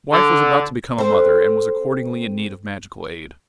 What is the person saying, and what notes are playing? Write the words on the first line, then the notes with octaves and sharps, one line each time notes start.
His wife was about to become a mother, and was accordingly in need of magical aid.
D3
C4 A4